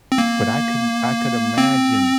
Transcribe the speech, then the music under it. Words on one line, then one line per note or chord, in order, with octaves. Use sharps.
but I can I could imagine
C4
A#3
C4